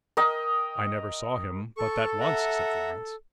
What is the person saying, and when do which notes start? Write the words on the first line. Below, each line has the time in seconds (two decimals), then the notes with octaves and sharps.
"I never saw him but that once," said Florence.
0.17 A#4 D#5 G5
1.77 A4 C#6
2.20 E5 F#5 A#5